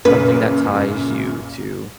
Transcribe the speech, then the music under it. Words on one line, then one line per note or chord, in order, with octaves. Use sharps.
something that ties you to
F#2 A#2 C#3 B4